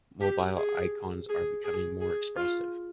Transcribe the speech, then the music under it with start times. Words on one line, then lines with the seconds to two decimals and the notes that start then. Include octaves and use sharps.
Mobile icons are becoming more expressive.
0.21 G4
0.57 G#4
1.29 G#4
1.65 G#4
2.01 G#4
2.37 F4